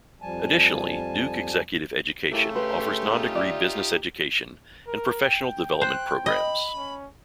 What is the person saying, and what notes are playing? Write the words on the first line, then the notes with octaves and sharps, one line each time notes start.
Additionally, Duke Executive Education offers non-degree business education and professional development programs.
F2 F3 G3 G#5 A5
C#3 A3 E4 G4 A#4
G4 B4 C6
D#4 F4 G4
D5 E5
A#4
G5
C5 F#6
D#5 B5
C#4